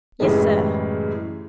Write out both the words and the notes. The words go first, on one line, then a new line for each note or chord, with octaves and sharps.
"Yes, sir."
F#2 A2 C#3 E3 G3 G#3